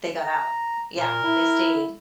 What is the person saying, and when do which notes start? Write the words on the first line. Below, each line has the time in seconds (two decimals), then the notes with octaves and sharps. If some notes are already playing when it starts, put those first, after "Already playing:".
they got out. Yeah, they stayed.
0.24 A#5
0.99 A#2 A#4
1.24 E4